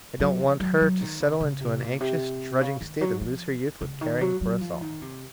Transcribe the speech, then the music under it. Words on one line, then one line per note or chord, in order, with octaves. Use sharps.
I don't want her to settle into an anxious, drudging state and lose her youth with caring for us all.
F#3
F3
F#3
F#3
D#3
C#3
C#3
C3
A#2
C3
C#3
D#3
F#3
F3
C#3
D#3
F#3
F#3
F3
D#3
C3